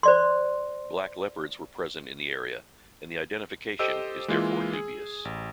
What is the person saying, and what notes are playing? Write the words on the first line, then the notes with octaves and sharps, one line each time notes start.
Black leopards were present in the area and the identification is therefore dubious.
C5 D5 C6
G4 A4 C5 D#5 E6
E3 G#3 A#3 E4 F4
G#4
A1